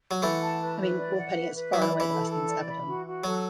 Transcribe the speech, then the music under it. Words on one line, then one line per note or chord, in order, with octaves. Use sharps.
I mean, Will Penny is far and away the best thing he's ever done.
F#3
E3 A3 F#5
A5
B4
B4
D5
F#5
B4
B4
F#3 D5
E3
B5
E3
A4
A4
D5
B5
F#4
F#4
F#3 A4